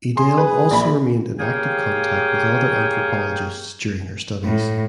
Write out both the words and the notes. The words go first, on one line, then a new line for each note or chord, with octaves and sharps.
Edel also remained in active contact with other anthropologists during her studies.
G#4 C6
B4
A#1 B5
A#3 G4 G#4 C#5 F5 G5
A2